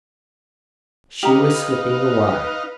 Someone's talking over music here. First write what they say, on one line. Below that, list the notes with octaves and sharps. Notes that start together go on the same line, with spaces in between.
She was slipping away.
D#4 G4 B4 F5 A#5